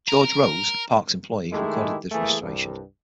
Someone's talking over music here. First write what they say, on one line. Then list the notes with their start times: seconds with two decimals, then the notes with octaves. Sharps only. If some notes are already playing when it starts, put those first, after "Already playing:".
George Rose, a parks employee recorded this restoration.
0.08 A#4 A#5
1.52 D#3 G#3 A3 E4 G4 G#4
2.12 E3 A3 A#3 G#4
2.41 C2 G2